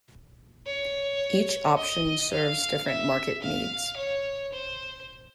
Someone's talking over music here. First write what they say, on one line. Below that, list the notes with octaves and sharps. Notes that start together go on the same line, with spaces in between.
Each option serves different market needs.
C#5
D#5
F5
E5
F5
C#5
C5